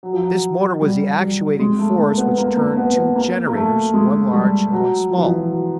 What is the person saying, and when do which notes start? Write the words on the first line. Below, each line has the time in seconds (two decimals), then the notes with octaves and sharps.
This motor was the actuating force which turned two generators, one large and one small.
0.03 F#3
0.13 F3
0.23 F#3
0.81 G3
1.20 G3
1.59 G#3
1.79 A3
1.98 A#3
2.18 B3
2.38 A#3
2.57 A#3
2.77 B3
2.96 B3
3.16 A#3
3.47 A#3
3.55 A3
3.94 G#3
4.33 G3
4.72 F#3
5.11 F3
5.18 E3
5.25 F3
5.50 F#3